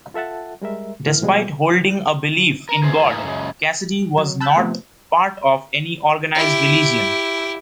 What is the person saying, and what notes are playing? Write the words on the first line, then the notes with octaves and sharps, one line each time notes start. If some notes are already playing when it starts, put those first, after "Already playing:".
Despite holding a belief in God, Cassidy was not part of any organized religion.
F4 A4 E5 F#5 A5
G3 G#3 A#4 E5
A2 E3 F6
B2 F3 G3 G#3
A#4
E3 G#4 C5
A2 E3 A#3 D#4 E4 G#4
F#2 C#3 G#3
F#3
A5 B5 E6 F#6 G6
C3 F3 A3 B3
E4 G4